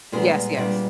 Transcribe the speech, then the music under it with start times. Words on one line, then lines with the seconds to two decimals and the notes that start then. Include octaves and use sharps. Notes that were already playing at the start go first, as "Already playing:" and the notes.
Yes, yes.
0.12 A#2 G3 G#3 B3 D4 G#4
0.57 A#2 G3 B3 D4